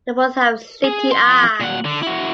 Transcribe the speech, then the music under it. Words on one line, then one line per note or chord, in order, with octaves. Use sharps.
They both have slitty eyes.
G#4
F2 C6
A#2 F#5
D3
E4 F#4